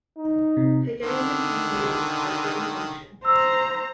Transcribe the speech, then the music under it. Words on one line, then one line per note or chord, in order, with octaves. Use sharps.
Picketing continued despite the injunction.
D#4
C3
D3 D#3
C5 A#5 E6